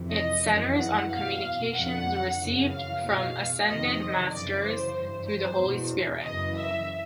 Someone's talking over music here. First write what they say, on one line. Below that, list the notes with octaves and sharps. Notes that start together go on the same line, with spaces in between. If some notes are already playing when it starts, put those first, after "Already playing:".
It centers on communications received from Ascended Masters through the Holy Spirit.
Already playing: F2 C3 E3
D#5
F#2 C#3 E3
F#5
E2 B2 F5
F2 D3 F#5
F#2 C#3 E3
F5
E2 B2 F5
F2 C3 D#3 D#5
F#2 C#3 E3 D5
C5
G2 E3
C5
E2 B2
F#2 C#3 E3 D#5
E5